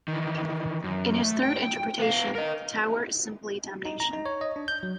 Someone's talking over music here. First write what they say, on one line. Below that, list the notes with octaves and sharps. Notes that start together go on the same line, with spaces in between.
In his third interpretation, the Tower is simply damnation.
D#3 E3
F#2
A3
G5
B3 F5
A#4 D#5
D#4
A#5
D#4
C#5
D#5
D4
G6
F#3